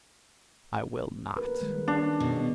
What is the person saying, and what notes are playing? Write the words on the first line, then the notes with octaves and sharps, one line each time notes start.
"I will not."
A#4 B4
D#3 G3 G#3
D#3 C#4 D4 G#4
B2